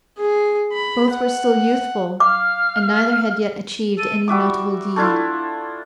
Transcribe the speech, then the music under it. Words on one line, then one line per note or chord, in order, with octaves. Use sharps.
Both were still youthful and neither had yet achieved any notable deed.
G#4
B5
F#5
F5 D6 F6
A4 D#7
G3 F#4 E5 D6
A3 D4 E4 F4